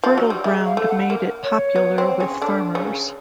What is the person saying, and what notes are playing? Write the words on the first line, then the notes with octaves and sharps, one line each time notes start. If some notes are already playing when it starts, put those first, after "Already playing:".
Fertile ground made it popular with farmers.
F3
F#3
G3
G#3 E5
F5
A3
F#5
A#3
C#5
B3
C4
C#3 C#4
D3 D4
C#3 C#4